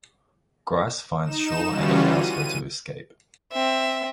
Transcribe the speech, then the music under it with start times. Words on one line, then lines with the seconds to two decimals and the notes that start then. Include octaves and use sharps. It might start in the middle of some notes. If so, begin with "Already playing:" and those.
Grice finds Shaw and allows her to escape.
1.23 D#4 E7
1.67 E3 G3 C#4 F4 F#4
2.05 D#7
3.53 C4 E5